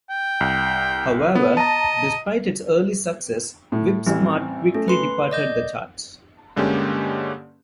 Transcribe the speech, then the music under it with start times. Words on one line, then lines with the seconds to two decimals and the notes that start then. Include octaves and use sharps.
However, despite its early success, "Whip-Smart" quickly departed the charts.
0.10 G5
0.41 C2
1.35 B3
1.57 D#5 A5 A#5
3.72 A2
4.06 A1 G3 C4 E4
4.74 A3 C#4
4.88 B4 C6
5.31 D5 D#5 G6
6.56 G2 D3 G#3 A#3 C#4 G4